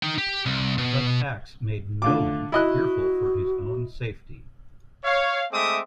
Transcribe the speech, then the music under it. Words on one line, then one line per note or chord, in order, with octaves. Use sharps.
Such acts made Knowland fearful for his own safety.
D#4 G5
G4
C2
B2
D3 A3 F4 D6
E4 F#4 D#5 F#6
C#5 F5
G#3 A3 C4 E5 D6 D#6